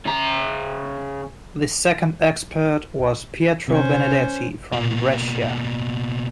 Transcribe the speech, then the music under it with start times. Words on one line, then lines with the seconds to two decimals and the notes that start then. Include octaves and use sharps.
The second expert was Pietro Benedetti from Brescia.
0.05 C#3 A#5
3.68 C3 C#4 C5
4.73 B2 A#3